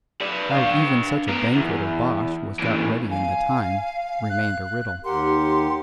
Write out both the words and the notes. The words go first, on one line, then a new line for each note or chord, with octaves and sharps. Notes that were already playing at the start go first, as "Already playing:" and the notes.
How even such a banquet of bosh was got ready in the time remained a riddle.
B4 D5
D4 F5
B3 A#4
E2
A#2 E3
F5 G#5
F#6
D#2 G4 A#4 F#5 C6